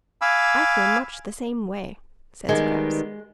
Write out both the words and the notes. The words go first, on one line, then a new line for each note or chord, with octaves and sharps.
"I feel much the same way," said Scraps.
F5 G#5 B5 D6 E6
D#3 G3 G#3 B3